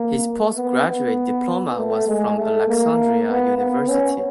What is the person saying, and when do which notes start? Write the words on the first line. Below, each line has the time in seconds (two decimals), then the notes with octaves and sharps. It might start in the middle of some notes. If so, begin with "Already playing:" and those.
His postgraduate diploma was from Alexandria University.
Already playing: A#3
0.56 B3
0.87 B3
1.77 A3
2.08 G#3
2.37 A3
2.68 A#3
3.28 B3
3.59 B3
3.89 C#4